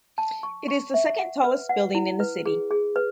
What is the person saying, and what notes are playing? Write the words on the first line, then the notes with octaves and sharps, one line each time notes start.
It is the second-tallest building in the city.
A5
C#6
C#6
E5
F#5
B4
F#5
E4
B4
G#4
G#4
B4